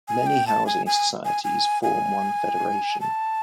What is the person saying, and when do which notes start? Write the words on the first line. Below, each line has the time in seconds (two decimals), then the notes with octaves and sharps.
Many housing societies form one federation.
0.08 G#5
0.27 G5
0.47 A5
0.66 G#5
0.86 G#5
1.25 G#5
1.44 G#5
1.83 G#5
3.01 A5